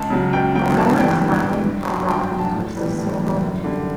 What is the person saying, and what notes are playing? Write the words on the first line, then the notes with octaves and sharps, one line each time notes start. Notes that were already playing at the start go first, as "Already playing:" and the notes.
Thor is finally brought down to a single knee.
Already playing: C#2 A5
C#3 F#3
C#2 G5
C#3 F#3 G5
G2 A5
E3 G3 G5
G2
E3 G3
G2
F#3
G2 G5
G5
F#3
A5
A2
E3 G3 B4
A2
E3 G3
F#2
D3 G3